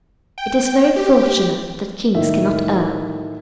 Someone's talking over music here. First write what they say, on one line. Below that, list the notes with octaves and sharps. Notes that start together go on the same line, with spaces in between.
It is very fortunate that kings cannot err.
G5
G4
A2 D#3 E5